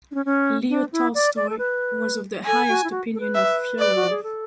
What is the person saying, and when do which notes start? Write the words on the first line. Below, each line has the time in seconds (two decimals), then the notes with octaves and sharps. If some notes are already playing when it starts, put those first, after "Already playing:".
Leo Tolstoy was of the highest opinion of Fyodorov.
0.11 D4
0.14 C#4
0.25 C#4
0.70 D4
0.93 E4
1.15 D5
1.36 D5
1.49 A4
1.58 B4
2.47 A4 G#5
2.69 F#4
2.84 E4
2.91 F#4
3.15 A4
3.20 B4
3.35 E5
3.79 D5
3.96 F#4
4.10 G#4
4.23 A4